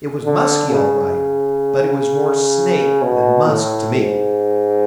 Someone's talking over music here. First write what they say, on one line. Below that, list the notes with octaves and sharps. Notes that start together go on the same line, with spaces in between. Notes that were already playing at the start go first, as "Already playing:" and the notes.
It was musky all right, but it was more snake than musk to me.
D3
C#3
B2
A2
G#2